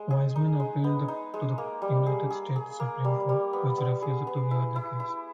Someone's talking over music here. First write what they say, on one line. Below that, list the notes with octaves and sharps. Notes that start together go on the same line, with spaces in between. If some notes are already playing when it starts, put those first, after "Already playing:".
Wiseman appealed to the United States Supreme Court, which refused to hear the case.
Already playing: G#3
G#4
D#4
G#3
B3
D#4
G#3
A#3
G3
G#4
G#4
G#4
A#3
G3
G3
B3
B3
G#4
B3
E4
E4
E4